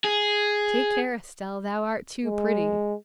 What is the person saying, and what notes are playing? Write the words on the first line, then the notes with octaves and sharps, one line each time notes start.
Take care, Estelle, thou art too pretty!
G#4
G#3